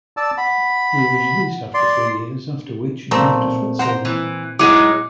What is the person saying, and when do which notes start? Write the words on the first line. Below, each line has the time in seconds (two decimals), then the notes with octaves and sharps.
He was released after three years after which he moved to Switzerland.
0.17 D5 A5 E6
0.37 F#5 B5
1.74 D5 C6
3.11 B1 A#2 A3 C4 A#5
3.79 C5 F#5 G5 A#5
4.05 E3
4.59 F#3 G#3 D#4 E4 F#5 D6